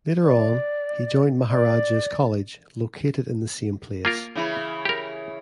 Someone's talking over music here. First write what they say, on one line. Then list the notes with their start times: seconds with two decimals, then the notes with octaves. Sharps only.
Later on, he joined Maharajah's College, located in the same place.
0.24 D5
1.50 D5
4.05 A#3 F4 A#4
4.35 C#3 E3 E4
4.85 G4 A#4